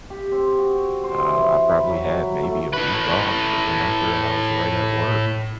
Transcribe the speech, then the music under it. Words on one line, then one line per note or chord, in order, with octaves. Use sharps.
uh, I probably had maybe a week off, but then after that, I was right at work.
G4
C4
F#4
C5
E3
B5
F#3
A3
A2 B4